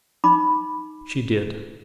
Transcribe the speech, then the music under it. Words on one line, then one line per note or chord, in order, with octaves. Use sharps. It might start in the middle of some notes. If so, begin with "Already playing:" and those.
She did.
D#4 B5 D6